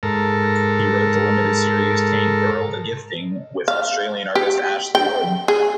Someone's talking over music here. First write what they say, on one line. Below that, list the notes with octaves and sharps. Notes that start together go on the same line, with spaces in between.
He wrote the limited series "Tank Girl: The Gifting" with Australian artist Ashley Wood.
G#2 A4 A#4
F5
G4
G5
G#4